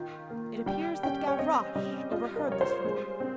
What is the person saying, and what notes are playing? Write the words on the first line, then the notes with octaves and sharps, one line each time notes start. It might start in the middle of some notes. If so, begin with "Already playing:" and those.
It appears that Gavroche overheard this remark.
Already playing: D#3 F4 G5
A#3
G3 G5
C#4 G5
C#5
C4 D#5
G3 D#5
F4 D#5
A#4
G3 C#5
C5
G#3
C4